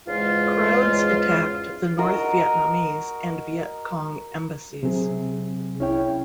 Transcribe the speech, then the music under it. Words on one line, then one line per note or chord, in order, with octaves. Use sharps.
Crowds attacked the North Vietnamese and Viet Cong embassies.
E2 G#2 C#3 G#3 F4
F#4 A#4 D#5
C3 F#3 C4 G#4
C2 C#4 E4 C#5 G5